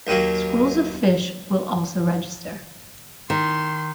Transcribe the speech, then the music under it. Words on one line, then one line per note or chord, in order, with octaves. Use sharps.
Schools of fish will also register.
D#2 D#3 F#3 A#3
D#3 C6